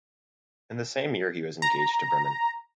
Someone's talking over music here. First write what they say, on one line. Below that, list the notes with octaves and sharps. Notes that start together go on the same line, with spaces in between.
In the same year he was engaged to Bremen.
A#5